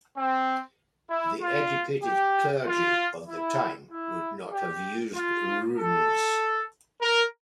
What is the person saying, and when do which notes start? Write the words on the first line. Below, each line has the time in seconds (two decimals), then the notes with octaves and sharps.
The educated clergy of the time would not have used runes.
0.16 C4
1.10 E4
1.41 F4
2.03 G4
2.66 F4
3.28 E4
3.90 E4
4.52 G4
5.15 F4
5.76 A4
7.01 A#4